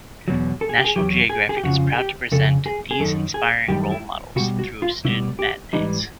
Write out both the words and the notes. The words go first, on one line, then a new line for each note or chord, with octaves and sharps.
National Geographic is proud to present these inspiring role models through student matinees.
E2 B2 F#3
A4
G#4
G4
G#4
E2 B2 F#3 G4
G#4
G#4
G4
F2 C#3 F3 F#4
G#4
G4
F2 C#3 A4
G#4
G#4
F#2 D#3 A4
G#4
F#2 D#3 G3 G4
E4
B2 G3 F#4
F#4
F4
B2 G3 E4
G4
G#2 E3 G3 D#4